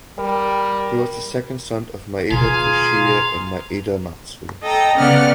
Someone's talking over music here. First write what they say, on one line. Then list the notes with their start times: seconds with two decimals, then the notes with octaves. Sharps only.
He was the second son of Maeda Toshiie and Maeda Matsu.
0.19 G3 A#4
2.31 B2 D#3 F4 G#4 F5 G#5 A#5 C6
4.62 A4 D#5 G5 A#5
4.97 C#3 B3 C#4 D5 F#5 F6